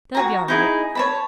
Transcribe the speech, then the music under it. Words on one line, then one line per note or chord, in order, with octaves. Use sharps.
'They'll be all right.
F#4 G#4 A#5
D#4 E4 G#4
C#5 A5 B5